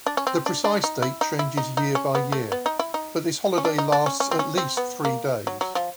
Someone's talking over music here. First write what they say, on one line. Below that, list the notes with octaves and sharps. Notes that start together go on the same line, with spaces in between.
The precise date changes year-by-year but this holiday lasts, at least, three days.
D4
C#4
C4
D4
D4
D#4
E4
D#4
E4
D#4
D#4
C#4
B3
A3
B3
D#4
E4
D#4
C#4
D4
D#4
D4
C#4
C#4
C4
C#4
C4
B3
A#3
F#3
F#3
F3